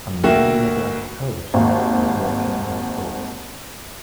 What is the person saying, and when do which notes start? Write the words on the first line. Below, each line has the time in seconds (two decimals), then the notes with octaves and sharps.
A man in a black coat is walking outdoors.
0.24 D2 A#3 F#4 E5 G5
1.54 G#1 D#2